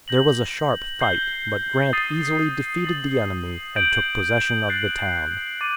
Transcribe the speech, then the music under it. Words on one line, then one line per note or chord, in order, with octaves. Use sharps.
There was a sharp fight, but Grant easily defeated the enemy, and took possession of the town.
G6 A#6 F#7
G6 C7 G7
D#6 A6 C7 D#7
D#6 A6 C7 F#7
G6 D7 F#7
F#6 A6 C7 F#7
D6 A6 D#7